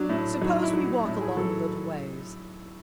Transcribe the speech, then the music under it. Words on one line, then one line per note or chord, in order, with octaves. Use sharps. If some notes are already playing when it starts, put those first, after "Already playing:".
Suppose we walk along a little ways?
Already playing: F#3 D4
A2
F#3 D#4
E4
F#3
F#4
A2
G#4
F#3 A4